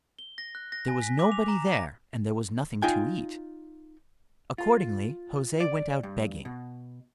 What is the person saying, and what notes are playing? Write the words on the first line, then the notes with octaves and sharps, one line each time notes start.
There was nobody there and there was nothing to eat. Accordingly, Jose went out begging.
G7
A#6
F#6
A#6
G#5
B6
D6
F7
A#5
A#6
D#4 F4 G5 G#5
F4
D5
G2
B2